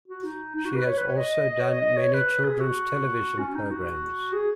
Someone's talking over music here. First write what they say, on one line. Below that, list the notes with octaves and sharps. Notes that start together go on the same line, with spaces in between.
She has also done many children's television programs.
F#4
D#4
D#4
F#4
B4
C#5
B4
C#5
D#5
D#5
C#5
D#5
D#5
C#5
B4
G#4
F#4
C#4
D#4
F#4
G#4